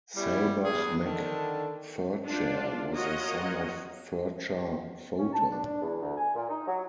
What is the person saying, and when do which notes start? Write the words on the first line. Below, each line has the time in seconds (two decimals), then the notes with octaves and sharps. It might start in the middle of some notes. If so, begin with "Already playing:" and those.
Selbach mac Ferchair was a son of Ferchar Fota.
0.16 G3 B3 C#4 E4
0.64 E2 G#4
1.03 D3 D#3 D4 A4
2.25 D4 F4
2.93 F4 F#4 A#4 C#5 D#5 F#5
5.19 C#4
5.32 A5
5.51 D4
5.64 D4
5.81 E2
6.01 D2
6.17 G#5
6.35 A#2
6.49 D#4
6.67 F#3